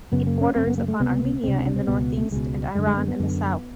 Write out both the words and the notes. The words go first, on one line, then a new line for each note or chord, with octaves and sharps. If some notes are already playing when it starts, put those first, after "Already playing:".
Its borders upon Armenia in the North-East, and Iran in the South.
F#2 C#3 B3
A#3
C#4
F#2 C#3 C4
B3
A#3
A3
C#2 C3 B3
C#2 C3 C4
D4
D4
C4
C#2 B2 B3
B3
A3
C#2 B2 G#3
F#2 D3 G#3
G#3
B3
B3
F#2 D3